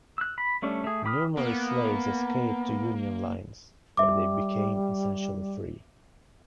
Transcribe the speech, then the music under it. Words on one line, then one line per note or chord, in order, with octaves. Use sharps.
Numerous slaves escaped to Union lines, where they became essentially free.
E6 F#6
B5
G3 A3 C#4 D4
A3 G#4
G5 B5 D6 D#6 F6
A#3 B3
G3 E5 D6